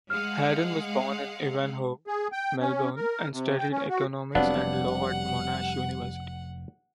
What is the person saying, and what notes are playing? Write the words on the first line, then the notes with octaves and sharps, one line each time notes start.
Hadden was born in Ivanhoe, Melbourne, and studied economics and law at Monash University.
G#3 F5 F#5 F6
G#4
G5
C#4
A#4
C3
G5
C#4
F#4
F1 F#3 G3 B3 C4 D4 F5 F#5